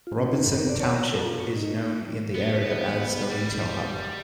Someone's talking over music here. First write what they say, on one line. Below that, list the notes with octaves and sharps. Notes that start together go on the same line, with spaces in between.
Robinson Township is known in the area as a retail hub.
F4
C#4
D#4
G2
A#4
D5
C#5
A#5
A4
F4
C#6
D#4
B3
G3